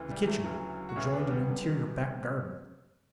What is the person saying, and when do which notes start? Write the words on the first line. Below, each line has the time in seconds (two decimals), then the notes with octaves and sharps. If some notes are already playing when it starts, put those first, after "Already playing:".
The kitchen adjoined an interior back-garden.
Already playing: D2 C#3 E3
0.11 G3
0.27 F#3 A3
0.44 D2 C#3 E3 F#3
0.89 F#4
0.96 D2 C#3 E3 C#4 E4
1.13 B3 D4
1.31 G3 B3
1.48 F#2 D3